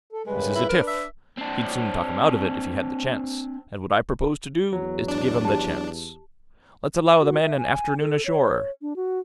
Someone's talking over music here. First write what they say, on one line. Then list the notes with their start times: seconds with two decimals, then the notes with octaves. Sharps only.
This is a tiff; he'd soon talk 'em out of it if he had the chance, and what I propose to do is to give him the chance. Let's allow the men an afternoon ashore.
0.13 A4
0.26 F#2 C#3 G3 G#3 B4
0.55 E4
0.69 D4 A#4
0.88 E5
1.37 C4 D4
4.73 E2 F#3
5.08 D4
5.45 G4 A5
7.21 F#4
7.42 E5
7.58 G#5
8.01 A4
8.25 C#5
8.82 D4
8.96 F#4